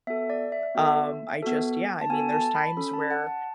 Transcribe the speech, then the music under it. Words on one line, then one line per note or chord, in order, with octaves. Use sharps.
um, I just yeah, I mean, there's times where
B3 F#4 A4 E5
D5
E5
B3 F#4 A4
B3 F#4 A4
A5
B3 F#4 A4 G#5
A5
B5
C#4 F#4 A4 B5
A5
F#5
A5